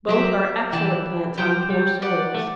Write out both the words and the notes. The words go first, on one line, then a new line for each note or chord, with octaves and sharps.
Both are excellent plants on poor soils.
F#3 G4 C5 E5
E3 E4 G4 D5 A5
F#3 G4 C5 G5
G3
G4 D5 F#5
A3